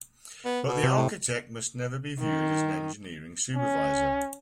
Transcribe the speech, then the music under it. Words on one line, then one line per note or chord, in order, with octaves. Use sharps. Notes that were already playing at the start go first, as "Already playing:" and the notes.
But the architect must never be viewed as an engineering supervisor.
B3
B2
C3
A2
D#3
C#4